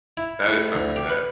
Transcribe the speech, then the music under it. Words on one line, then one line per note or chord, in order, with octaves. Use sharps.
that is something that
E4
A2
D2
G4
B4